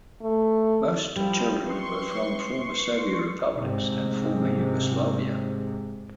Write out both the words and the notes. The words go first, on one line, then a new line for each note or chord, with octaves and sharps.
Most children were from former Soviet republics and former Yugoslavia.
A3
F3 G3 E4 B5
B4 C6 C#6
G#2 C3